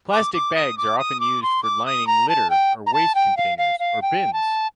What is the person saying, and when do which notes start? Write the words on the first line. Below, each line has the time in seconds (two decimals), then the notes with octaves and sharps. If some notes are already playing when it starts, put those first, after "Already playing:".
Plastic bags are often used for lining litter or waste containers or bins.
0.13 D6
0.34 D6
0.55 D#6
0.78 D6
0.99 D#6
1.20 D6
1.43 C6
1.63 D6
1.86 D#6
2.07 A#5
2.29 A5
2.50 G5
2.87 A#5
2.94 A5
3.15 G5
3.37 F5
3.58 F5
3.80 F5
4.02 G5
4.33 A5